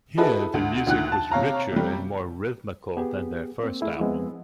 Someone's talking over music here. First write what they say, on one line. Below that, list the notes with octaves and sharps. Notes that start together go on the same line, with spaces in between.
Here the music was richer and more rhythmical than their first album.
E4 F#4 G#4 A4 B4 D#5
D2
D2 A#2 D#3 F#5 F#6
A5
C3 C#5 F5 A#5
C3 G3
B3 G4 G#4
A#3 C4
A3 E4 G#4
F3 G#3 B3 C4